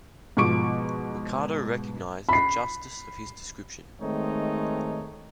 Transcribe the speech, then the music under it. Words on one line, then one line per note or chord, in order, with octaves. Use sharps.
Ricardo recognised the justice of his description.
G#2 B2 F3 C#6 D6 D7
B5 C7
D#3 G#3 A3 C4 D#4 C#5